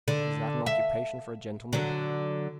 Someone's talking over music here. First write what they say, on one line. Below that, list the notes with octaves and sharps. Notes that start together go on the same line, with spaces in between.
Is that an occupation for a gentleman?
D3
E5
D3 F#3